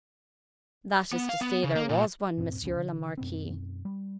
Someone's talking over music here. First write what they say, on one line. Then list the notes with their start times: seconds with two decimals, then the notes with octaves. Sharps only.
"That is to say there was one, Monsieur le Marquis."
1.13 B3
1.29 F5
1.41 B3
1.64 C#3
1.75 A#3
1.89 A#2
2.38 D#1 G2 A#2 C4
2.62 D#1 C#2 B3 C#4
2.77 B2 D3
3.18 F#2 B2 B3 C4
3.85 G3